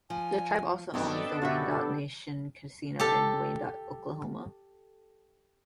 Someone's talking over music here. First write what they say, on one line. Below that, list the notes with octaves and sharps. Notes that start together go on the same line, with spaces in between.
The tribe also owns the Wyandotte Nation Casino in Wyandotte, Oklahoma.
F3 G#5
G2 F#3 B3 C4 D4 A4 D#5 G5
F#2 B2 F#4 G4 E5
G4 A4